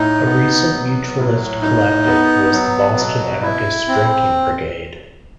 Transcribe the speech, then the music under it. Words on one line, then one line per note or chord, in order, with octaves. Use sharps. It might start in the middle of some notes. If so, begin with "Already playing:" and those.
A recent mutualist collective was the Boston Anarchist Drinking Brigade.
Already playing: A2 D#4
B3
F#3
A2
D#4
B3
F#3
B2
E4
C4